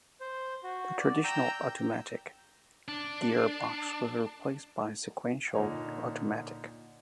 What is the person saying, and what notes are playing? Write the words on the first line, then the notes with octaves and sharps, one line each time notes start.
The traditional automatic gearbox was replaced by a sequential automatic.
C5
F#4
D5
G5 A#5 E6 G6
D4
A#2 D3 D#4 C#5